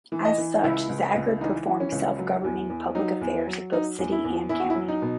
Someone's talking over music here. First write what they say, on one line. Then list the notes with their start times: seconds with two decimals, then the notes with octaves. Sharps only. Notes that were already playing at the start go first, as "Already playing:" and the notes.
As such, Zagreb performs self-governing public affairs of both city and county.
0.12 E3
0.25 D#5
0.38 E3
0.64 C#2 E4
0.89 C#2
1.16 C#2
1.41 E3 D#4
1.67 E3
1.80 C#4
1.92 C#2
2.19 F#3
2.44 E2
2.70 E2
2.95 F#3 D#4
3.21 E2
3.47 F#3
3.73 F#3 D#4
3.99 E2
4.12 E4
4.24 E2
4.49 E2 E4
4.60 F#4
4.70 E4
4.75 F#3
4.88 D#4
5.02 B2